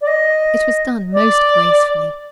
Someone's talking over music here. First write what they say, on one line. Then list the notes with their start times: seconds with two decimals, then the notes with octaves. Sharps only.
It was done most gracefully.
0.01 D5
0.07 D#5
1.13 D5